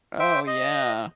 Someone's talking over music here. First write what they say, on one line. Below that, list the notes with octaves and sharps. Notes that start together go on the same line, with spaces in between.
Oh yeah.
C5 E5 G5
D#5